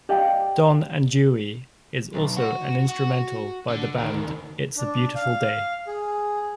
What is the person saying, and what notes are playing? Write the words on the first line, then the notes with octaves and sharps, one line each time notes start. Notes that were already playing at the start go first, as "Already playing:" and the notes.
"Don and Dewey" is also an instrumental by the band It's a Beautiful Day.
G4 D5 D#5 F5 G5
B1
F#4
F#4
D3
D2 D#3
D4
F5
G#4